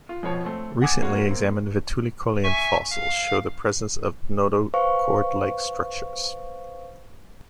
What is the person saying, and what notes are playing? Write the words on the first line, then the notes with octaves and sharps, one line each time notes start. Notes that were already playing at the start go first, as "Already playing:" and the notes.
Recently examined Vetulicolian fossils show the presence of notochord-like structures.
F4
F2 B2 F3 C#5
A3 C4
F#5 G#5 D6 D#6 G#6
G#3 A#3 C#4 F#4
A#3 C4
E5 G#5 C#6
F5
B4 C5 F5 C#6